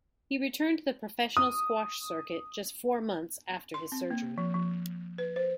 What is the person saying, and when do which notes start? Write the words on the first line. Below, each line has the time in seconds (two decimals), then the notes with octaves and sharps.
He returned to the professional squash circuit just four months after his surgery.
1.37 D#6
3.74 C6
3.92 C4
4.11 A#3
4.38 F3
4.54 F3
5.18 B4
5.36 C5